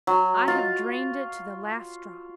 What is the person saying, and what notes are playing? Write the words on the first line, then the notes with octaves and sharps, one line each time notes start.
I have drained it to the last drop.
F#3
F4